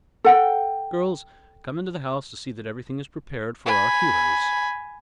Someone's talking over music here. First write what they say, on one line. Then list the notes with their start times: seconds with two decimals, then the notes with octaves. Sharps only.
"Girls, come into the house to see that everything is prepared for our heroes."
0.24 A4 F#5 G5
3.66 G#5 B5